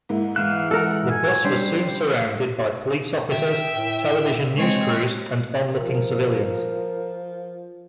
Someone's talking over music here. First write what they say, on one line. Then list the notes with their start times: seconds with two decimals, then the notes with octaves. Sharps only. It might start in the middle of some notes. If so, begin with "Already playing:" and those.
The bus was soon surrounded by police officers, television news crews, and onlooking civilians.
0.09 G#2 A#3 E4
0.36 G#2 E3 F5 F#6 E7
0.71 A4 A#4 F#5
1.11 G#5
1.45 G3 C#4 D4 C5
3.30 D#3 E5 G5
3.75 A2
4.57 G#3 C4 C#5
5.75 F3 A#4